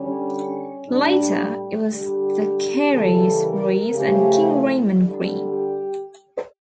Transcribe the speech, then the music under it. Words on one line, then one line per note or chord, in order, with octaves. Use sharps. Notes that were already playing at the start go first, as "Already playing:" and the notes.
Later, it was the Careys, Reace, and King Raymond Green.
Already playing: D3 G3 C#4
C#4
A2 G3 D4
D3 G3 G4
C#3 E3 G3 A4
A#4
C#3 F3 A3 G4
E4
D3 G3
G4